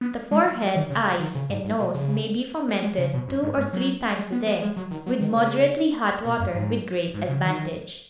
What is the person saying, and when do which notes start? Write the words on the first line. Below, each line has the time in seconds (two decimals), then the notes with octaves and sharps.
The forehead, eyes, and nose may be fomented two or three times a day with moderately hot water with great advantage.
0.01 B3
0.31 G#3
0.46 F#3
0.61 F#3
0.76 D#3
0.90 C#3
1.05 C#3
1.20 D#3
1.35 C#3
1.50 G#2
1.64 G#2
1.79 B2
1.95 C#3
2.69 B3
2.83 G#3
2.98 C#3
3.14 B2
3.28 F#2
3.43 G#2
3.57 G#2
3.73 F#3
4.16 G#3
4.32 B3
4.46 B3
4.62 G#3
4.77 F#3
4.91 D#3
5.06 F#3
5.21 D#3
5.36 C#3
6.25 B2
6.40 F#2
6.55 G#2
7.14 G#2
7.29 C#3
7.43 D#3